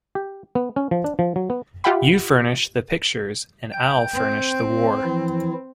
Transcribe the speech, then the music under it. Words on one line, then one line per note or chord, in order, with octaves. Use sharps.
You furnish the pictures and I'll furnish the war.
G4
B3
C#4
F3
D4
F3
F#3
B3
F4 G4 E5 F#5 G5 B5
G5 G6
C4
E3 F3 E4